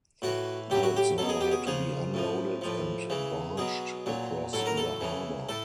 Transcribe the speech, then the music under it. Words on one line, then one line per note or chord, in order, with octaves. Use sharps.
Goods now had to be unloaded and barged across the harbor.
A2 E3 F#4
A2 F#3 G4
F#4
G4
B2 F#3 A4
G#4
G4
G#4
C#3 F3 G#4
A2 F3
A2 F3
C#3 E3
B2 F#3 G#4
A#2 F#3
A2 F#3 A4
A#4
A4
C#3 E3
A2 A4